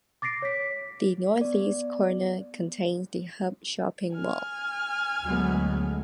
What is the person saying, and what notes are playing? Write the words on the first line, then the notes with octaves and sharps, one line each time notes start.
The northeast corner contains The Hub shopping mall.
D6 A6 A#6 C7 D7
C#5 B6
B3 D5
G#5 F6
D2 F#3 G#3 A3 B3